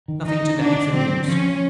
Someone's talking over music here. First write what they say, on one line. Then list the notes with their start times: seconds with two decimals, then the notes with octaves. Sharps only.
Nothing to day for news.
0.08 D#3
0.25 D#3 D#4
0.42 D#3
0.59 D3 D4
0.76 D3
0.93 F#3 C4
1.11 D3
1.27 F3 C#4
1.44 F3